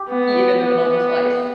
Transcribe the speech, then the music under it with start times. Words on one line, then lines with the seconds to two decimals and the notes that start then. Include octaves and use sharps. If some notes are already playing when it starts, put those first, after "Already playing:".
eaten in the middle of the slice.
Already playing: G4
0.10 B3
0.65 B3